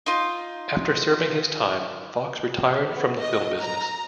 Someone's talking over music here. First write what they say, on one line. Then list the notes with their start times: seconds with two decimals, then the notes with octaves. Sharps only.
After serving his time, Fox retired from the film business.
0.06 D#4 F4
2.89 B3
3.18 D#5
3.60 A#5